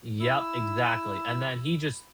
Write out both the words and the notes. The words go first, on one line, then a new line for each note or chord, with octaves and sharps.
Yep, exactly, and then he just
E4 E6